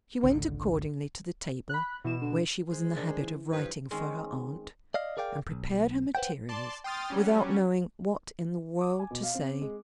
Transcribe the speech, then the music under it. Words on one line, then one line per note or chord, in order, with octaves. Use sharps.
She went accordingly to the table, where she was in the habit of writing for her aunt, and prepared her materials without knowing what in the world to say.
G#1 C#2 D3
B5 F#6
B2 E3 E7
D3
G#3 G#4 C5
D#3 D4
E3
G2 F3 B4
D#3 G#3 C4 C#4
D5 D#5 F5
G#4 A#4 D5 F5 G5
B1
B4 C5 F#5 G5
D5 A5 C6
G5 C6 D#6 F6 A6
F#3 G3 C#4
D6
G#5
B2
F5
C4
G#3